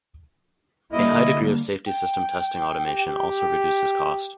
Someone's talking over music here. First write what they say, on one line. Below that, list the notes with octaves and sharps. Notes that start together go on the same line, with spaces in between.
A high degree of safety system testing automation also reduces cost.
D3 G3 A#3 E4 D#5
G5
G4